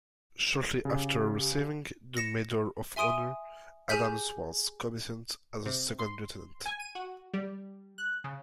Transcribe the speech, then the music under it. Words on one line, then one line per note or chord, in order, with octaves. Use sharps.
Shortly after receiving the Medal of Honor, Adams was commissioned as a second lieutenant.
C#3 G4
A#6 C#7 E7
E5 G#5 C6 D#6 D7 D#7
G4 G#4 G#5 F6 G6 B6
C3
C6
G#5
D#7
F#4
G3
F#6
C#3